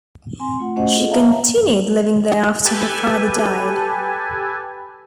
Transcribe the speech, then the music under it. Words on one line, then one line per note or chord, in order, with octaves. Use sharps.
She continued living there after her father died.
C4 G#5 C6
A3 F4 F#5
A3 C#4 F#4 C5 D#5 F#5
F4 G#4 A4 D#5 F#5
C#5 E5 F5 A5 A#5
G4 A4 B4 G#5 A5